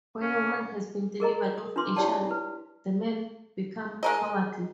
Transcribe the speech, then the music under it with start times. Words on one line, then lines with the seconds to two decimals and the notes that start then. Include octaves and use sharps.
When a woman has been delivered of a child, the men become cowardly.
0.21 C#4
1.20 G#4 A#4 D#5 A#5
1.58 D#6
1.76 D4 F4 B4 C6 D6
1.96 E4 G4 C#5 D5 G5 A5
2.27 E4 B4
4.03 G#3 A#4 D#5